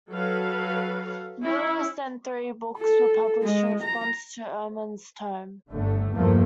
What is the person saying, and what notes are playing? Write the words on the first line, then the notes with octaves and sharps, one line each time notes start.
No less than three books were published in response to Ehrman's tome.
F#3 A4 B4 F5
C#4 E4
A4
G#3
A#5
G1 D3 A3
E2 G2 B2 F3 A3 A#3